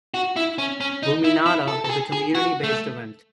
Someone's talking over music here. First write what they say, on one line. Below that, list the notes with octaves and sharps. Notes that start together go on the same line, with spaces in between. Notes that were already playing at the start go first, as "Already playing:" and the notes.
Luminata is a community-based event.
F#4
E4
C#4
C#4
D#4
E4
E4
A4
A4
G#4
G#4
F#4
A3